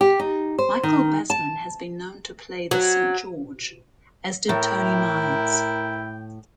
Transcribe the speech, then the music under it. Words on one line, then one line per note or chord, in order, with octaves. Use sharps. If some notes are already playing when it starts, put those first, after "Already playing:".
Michael Basman has been known to play the Saint George, as did Tony Miles.
G4
D#4
C5
D#3
A5
F#3
A2 E4 A#4 G5